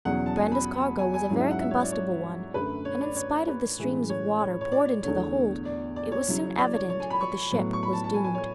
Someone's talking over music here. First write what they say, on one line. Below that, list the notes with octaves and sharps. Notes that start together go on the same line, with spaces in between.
The Brenda's cargo was a very combustible one, and in spite of the streams of water poured into the hold it was soon evident that the ship was doomed.
E2 B2 F#3 C#4 F#5
A5
G#5
B5
G#5
G#5
G#2 F#3 C#4 E4
E5
F#5
E5
C#5
D5
C#5
F#2 D3 A3 B4
C#5
D5
C#5
B4
A2 E3 G#3 C#4
C#5
C#5
C#5
D5
E2 D3 A3 C#5
D5
D5
C#5
C#3 F#3 C#4 E4
D5
C#5
C#5
G#5
B5
C#6
A2 F#3 B3
C#6
B5
A5
A5
G#5
G#5
C#5